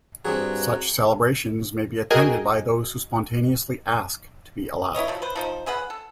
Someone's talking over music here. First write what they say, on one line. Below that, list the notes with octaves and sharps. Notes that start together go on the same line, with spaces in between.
Such celebrations may be attended by those who spontaneously ask to be allowed.
G2 F#3 C4 D4 G#4
F#4 G#4 A#4 D#5 G5 G#5
E4 B4 C#5 D#5
F3 F#3
B4 C5
F3 D#4 C5
C#4 G#4 B4 F#5
A4